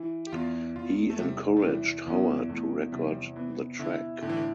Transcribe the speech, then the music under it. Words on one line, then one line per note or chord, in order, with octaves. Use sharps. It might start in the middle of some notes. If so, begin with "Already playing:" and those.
He encouraged Howard to record the track.
Already playing: E3
G4
E2 F4
E2 F4
A3
C3 G3
A3
E3 G3
E2 B3
E2 A3
C3 G3
F3
G3
E3 B3
D3 E4
A2 D3
E3
D3